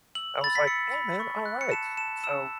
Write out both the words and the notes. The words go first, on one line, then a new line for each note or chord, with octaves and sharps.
I was like, "Hey man, alright!" So
E6 F#7
B5 A6
B6
E6 C#7
B5
C#6
F#6
C#7
A5 E7
A5 E7
E6 E7